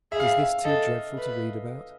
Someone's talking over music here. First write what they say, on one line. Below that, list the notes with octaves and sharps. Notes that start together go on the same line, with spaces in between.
Is this too dreadful to read about?
G#4 E5
F5
E5
E5
A4 D#5
B4